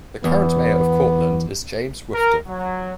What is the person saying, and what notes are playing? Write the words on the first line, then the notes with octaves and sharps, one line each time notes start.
The current mayor of Cortland is James Woofter.
E2 B3
A#4
F#3